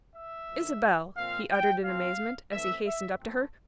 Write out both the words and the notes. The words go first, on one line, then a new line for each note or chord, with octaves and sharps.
"Isabel!" he uttered in amazement, as he hastened up to her.
E5
D3 F3 A#3
A#2 F3 C4 F5
G5
A#2 F3 C4 F5
E3 A3 C4 E5
E5
G2 F3 A3 C4